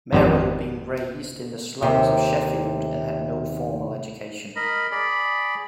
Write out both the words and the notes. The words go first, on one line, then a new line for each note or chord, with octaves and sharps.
Merrill had been raised in the slums of Sheffield and had no formal education.
G#1 F2 B3 C4 D4 G4
D#2 C3
A#4 D#5 B5
G#4 D5 B5